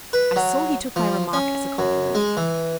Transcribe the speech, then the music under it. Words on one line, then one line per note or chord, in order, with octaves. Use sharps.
I saw he took my remark as a compliment.
B4
F#3
F3
C#4
F#2
G#3
E3